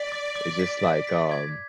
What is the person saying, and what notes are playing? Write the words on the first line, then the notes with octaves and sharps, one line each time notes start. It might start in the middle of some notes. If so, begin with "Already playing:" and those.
is just, like, um,
Already playing: D5 B6
D6
D6
B6
B6
B6
G#6